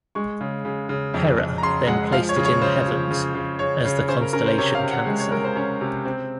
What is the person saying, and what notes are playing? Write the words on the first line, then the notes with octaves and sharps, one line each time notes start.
Hera then placed it in the heavens as the constellation Cancer.
G#3 C#6
C#3
C#3
C#3
F2
F2
A#5
C#3 C6
G#3 F#5
F3 F5
C#5
C#3
C#5
C#3 C5
F3
C#3
C#3
C#3 C#5
C#3
C#4 C5
A#4
C#4 A#4
C5
C3 C#5
F5
C3
F#5
G#3
C#5
G#3 A#4
C5
C#4 C#5
C3
C4